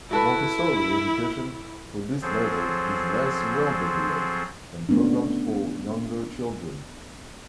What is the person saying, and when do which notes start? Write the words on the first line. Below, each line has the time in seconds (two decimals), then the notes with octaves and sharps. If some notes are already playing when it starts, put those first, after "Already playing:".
Montessori education for this level is less well-developed than programs for younger children.
0.11 E4 F#4 A4 B4
2.22 F3 F#3 C4 G#4 A4 C5
4.89 A3 B3 C#4 D4